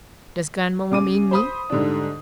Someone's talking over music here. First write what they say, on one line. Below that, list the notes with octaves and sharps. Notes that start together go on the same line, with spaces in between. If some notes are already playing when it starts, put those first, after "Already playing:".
"Does grandmamma mean me?"
C#3 D6 D#7
C5 B5 D#6
G#2 D3 G3 D4